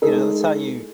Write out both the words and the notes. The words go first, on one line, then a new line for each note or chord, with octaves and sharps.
You know, that's how you
G#3 A3 D#4 E4 G#4 A4